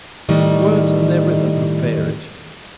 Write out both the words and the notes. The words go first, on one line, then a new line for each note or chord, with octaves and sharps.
Words and their rhythm have varied.
A2 D#3 G3 D#5